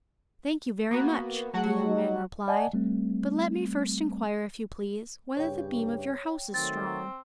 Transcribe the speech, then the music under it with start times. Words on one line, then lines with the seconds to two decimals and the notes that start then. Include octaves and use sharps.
"Thank you very much," the young man replied; "but let me first inquire, if you please, whether the beam of your house is strong."
0.91 A#3 B3 F#4
1.54 F#3 A3 F#4 G#4 F#5
1.86 D#4
2.48 D5 D#5 F#5 G#5 A5
2.73 G3 A3 C4
5.37 G2 C#3 G4 C#5 G5
6.54 D#3 F#3 A3 C4 A6